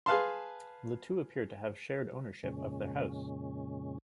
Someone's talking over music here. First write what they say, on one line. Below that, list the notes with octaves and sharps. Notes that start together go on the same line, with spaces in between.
The two appear to have shared ownership of their house.
G#4 B4 F5 A5 C6
F2 A#2 C#3 G#3 C#4